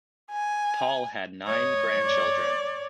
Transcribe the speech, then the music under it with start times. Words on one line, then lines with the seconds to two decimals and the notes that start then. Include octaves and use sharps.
Paul had nine grandchildren.
0.32 G#5
1.47 C#5 D#5
2.04 D5